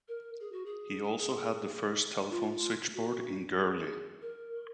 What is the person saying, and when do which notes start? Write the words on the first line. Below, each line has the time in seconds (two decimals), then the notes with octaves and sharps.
He also had the first telephone switchboard in Gurley.
0.08 A#4
0.40 G#4
0.52 F#4
0.66 G#4
2.30 F4
2.94 F#4
3.58 G#4
4.22 A#4